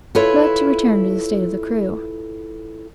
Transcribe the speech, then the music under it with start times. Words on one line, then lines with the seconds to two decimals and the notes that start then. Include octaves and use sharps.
But to return to the state of the crew.
0.15 E4 F4 A4 B4 C#5 E5